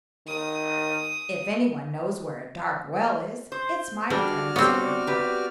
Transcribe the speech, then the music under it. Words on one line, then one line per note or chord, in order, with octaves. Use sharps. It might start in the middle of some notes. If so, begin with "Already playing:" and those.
"If anyone knows where a dark well is, it's my friend the Scarecrow."
D#3 D#6
C5 G6
G3 D4 F#4 G#4 A4 D5 F6
G3 B3 C4 C#5
G4 B4